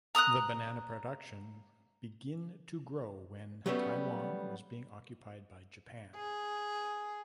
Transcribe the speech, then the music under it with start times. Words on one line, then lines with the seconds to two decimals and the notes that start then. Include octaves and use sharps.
The banana production begin to grow when Taiwan was being occupied by Japan.
0.15 A#5 D#6 E6 F#6
3.66 F#3 G3 A3 B3 C#4
6.15 G#4